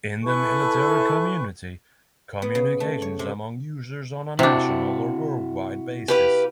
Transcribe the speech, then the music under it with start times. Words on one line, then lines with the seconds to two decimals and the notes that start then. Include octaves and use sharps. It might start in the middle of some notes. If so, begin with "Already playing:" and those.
In the military community, communications among users on a national or worldwide basis.
0.24 E4 A4 B4 G#5 C#6
2.42 B3
2.55 C#3
2.80 A3
3.02 C#5
3.19 C3
4.39 C3 D4 E4 F#4
6.08 G4 B4 F5